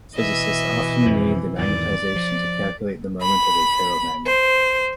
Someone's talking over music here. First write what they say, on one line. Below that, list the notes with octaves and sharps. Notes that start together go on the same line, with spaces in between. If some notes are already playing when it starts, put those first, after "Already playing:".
Physicists often need the magnetization to calculate the moment of a ferromagnet.
B2 E3 D#5 E5
F2 F3
E2 G#2 D#3 D5
F3
B5
C5